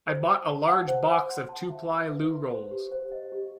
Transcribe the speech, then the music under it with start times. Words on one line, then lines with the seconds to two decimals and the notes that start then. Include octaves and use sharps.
I bought a large box of two-ply loo rolls.
0.08 C5
0.27 A5
0.48 A5
0.68 F#5
0.88 C5
1.09 F#5
1.29 C6
1.49 A5
1.70 E5
1.90 E5
2.10 B4
2.31 C6
2.50 C5
2.71 G4
2.92 C5
3.12 D#5
3.32 G4